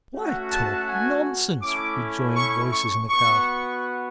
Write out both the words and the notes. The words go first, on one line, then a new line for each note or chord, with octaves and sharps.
"Why talk nonsense?" rejoined voices in the crowd.
A3 C#4 F#4
A5
G#5
A3 C#4 E4 D6
C#6
C#6
B3 F#4 C#6